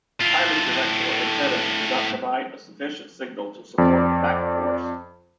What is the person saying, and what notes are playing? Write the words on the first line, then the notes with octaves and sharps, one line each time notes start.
Highly directional antennas do not provide a sufficient signal to support a back course.
A2 F4
F2 D5